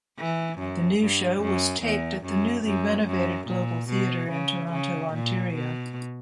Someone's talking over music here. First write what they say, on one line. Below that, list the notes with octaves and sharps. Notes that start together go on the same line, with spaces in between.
The new show was taped at the newly renovated Global Theatre in Toronto, Ontario.
E3
F#2
G2
F#2
E2
F#2
F#2
F#2
A#2
B2
C#3
C#3
A#2
B2